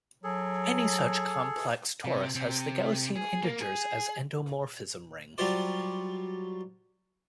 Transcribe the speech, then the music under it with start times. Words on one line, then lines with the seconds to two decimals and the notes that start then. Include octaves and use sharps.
Any such complex torus has the Gaussian integers as endomorphism ring.
0.24 F#3 G#4 A4
2.05 C3
2.35 C3
3.16 G#4
3.43 A#3
3.61 G#4
5.38 F#3 G3 F4 F#4 C5 D5